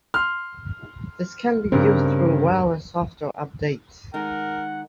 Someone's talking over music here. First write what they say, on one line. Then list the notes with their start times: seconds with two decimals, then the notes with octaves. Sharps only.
This can be used through wireless software updates.
0.14 C6 F6
1.72 G2 C#3 C4 A#4
4.14 D#3 G#3 D#4 A#4 F#5